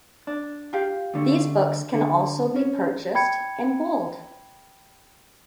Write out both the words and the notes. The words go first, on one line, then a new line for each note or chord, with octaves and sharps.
These books can also be purchased in Bold.
D4
F4 G4 F5
D2 D3 A3
D3
C#4 C#5
G5 B5 G#6 C#7